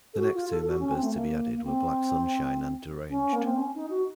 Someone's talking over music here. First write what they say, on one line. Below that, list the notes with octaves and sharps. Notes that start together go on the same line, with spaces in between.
The next two members to be added were Black Sunshine and Deranged.
A4
F#4
F4
A4
F#4
C#4
C4
A3
A#3
A#3
C4
C#4
A#3
C4
C#4
D#4
F#4